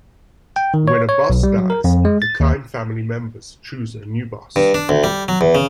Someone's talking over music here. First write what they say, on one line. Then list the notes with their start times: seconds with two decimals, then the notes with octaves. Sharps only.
When a boss dies the crime family members choose a new boss.
0.56 G5
0.74 D#3
0.88 C#5
1.09 C#5
1.30 B1
1.43 G3
1.58 F#3
1.70 A#4
1.84 F2
2.05 G#3
2.22 A6
2.40 D#2
4.56 G2
4.74 D4
4.89 D2
5.04 G3
5.28 F#3
5.41 E2
5.55 C#3